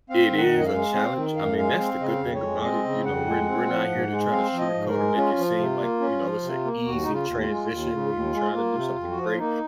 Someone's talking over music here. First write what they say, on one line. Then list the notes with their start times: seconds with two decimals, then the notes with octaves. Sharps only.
it is a challenge, I mean, that's the good thing about it, you know, we're we're not here to try to sugarcoat or make it seem like, you know, it's a easy transition when you try to do something great,
0.10 C4 F5
0.31 D#3
0.37 F#5
0.52 F#2
0.60 D#5
0.66 F5
0.73 G#3
0.94 C4 F5
1.16 D#3
1.36 F#2 F5
1.58 G#3 F5
1.78 C4 F5
1.99 C#3 D#5
2.07 F5
2.21 F2
2.34 C#5
2.42 G#3
2.62 C4 D#5
2.85 C#3
3.06 F2 F#5
3.27 G#3
3.48 C4
3.69 F3
3.90 G#2
4.11 G#3
4.32 C4 F5
4.53 F3
4.59 D#5
4.73 G#2
4.88 A#4
4.95 G#3
5.16 C#4 F4
5.38 F3
5.59 C3
5.80 A#3
6.00 C#4
6.22 F3
6.43 C3
6.64 A#3
6.85 D#2 F#4
7.03 C#3 D#4
7.14 F4
7.27 D#2
7.42 F4
7.49 G#3
7.70 D#2
7.91 C#3
8.12 D#2
8.33 G#3
8.54 A#3
8.75 C3
8.96 F2
9.11 F#4
9.17 F3
9.24 F4
9.38 A#3 D#4